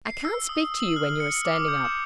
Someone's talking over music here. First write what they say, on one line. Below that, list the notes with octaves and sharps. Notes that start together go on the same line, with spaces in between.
I can't speak to you when you are standing up.
C7
E6
D#6
F#7
F6
C#7
D6
G6
E7